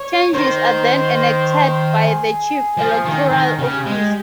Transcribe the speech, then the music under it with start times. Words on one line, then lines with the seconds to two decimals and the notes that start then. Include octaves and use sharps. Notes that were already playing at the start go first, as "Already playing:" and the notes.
Changes are then enacted by the chief electoral officer.
Already playing: C#5
0.33 D#3 C5
1.96 G#4
2.77 F3
3.05 D#3
3.32 D#3
3.59 C#3 G4
3.86 G#3